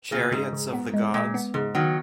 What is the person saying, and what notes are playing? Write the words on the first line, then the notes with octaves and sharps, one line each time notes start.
Chariots of the Gods?
A#2 C#3
G#2 C#3
C#3
B3
G#3
A#2 G#3
B3
G#2 C#3
D#3 F#3 B3